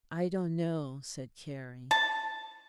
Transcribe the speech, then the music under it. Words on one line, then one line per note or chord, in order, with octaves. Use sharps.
"I don't know," said Carrie.
A5